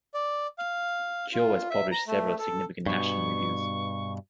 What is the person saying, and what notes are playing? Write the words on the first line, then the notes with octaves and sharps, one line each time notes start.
Keogh has published several significant national reviews.
D5
F5
F4
E5
A#5
A3
A4
G2 B2 C#6